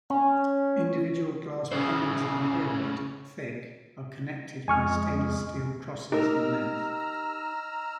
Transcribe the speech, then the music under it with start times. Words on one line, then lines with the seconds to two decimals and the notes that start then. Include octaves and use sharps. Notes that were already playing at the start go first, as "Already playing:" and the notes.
Individual glass panes in the pyramid, thick, are connected by stainless-steel crosses in length.
0.10 C#4
1.71 C#3 C#4 E4 A4 C5
4.68 F2 G#3 G#5 C#6 F6
6.12 D#4 G4 A#4 D#5 A#5 E6 F6